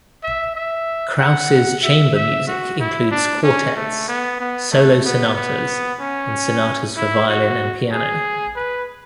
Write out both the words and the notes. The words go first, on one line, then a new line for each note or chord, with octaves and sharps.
Kraus's chamber music includes quartets, solo sonatas, and sonatas for violin and piano.
E5
E5
F#5
E5
E5
F#4
E4
D4
C#4
A3
B3
B3
A3
B3
B3
C#4
E4
F#4
G#4
B4